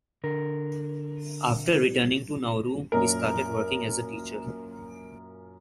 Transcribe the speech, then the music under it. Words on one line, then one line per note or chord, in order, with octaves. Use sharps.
After returning to Nauru, he started working as a teacher.
D3 A#4
F#2 A#2 A#4